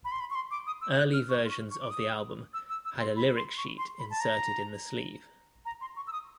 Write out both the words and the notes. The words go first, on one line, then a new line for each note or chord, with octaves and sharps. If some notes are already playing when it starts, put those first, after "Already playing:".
Early versions of the album had a lyric sheet inserted in the sleeve.
B5
C6
B5
C#6
C6
D6
D#6
E6
F#6
F6
C#6
C6
C#6
C#6
D6
D#6
E6
E6
E6
C6
B5
C6
C#6
C6
B5
A5
A#5
A#5
C6
C#6
E6
D#6